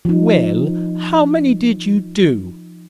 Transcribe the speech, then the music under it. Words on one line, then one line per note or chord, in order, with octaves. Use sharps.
"Well, how many did you do?"
F3 D#4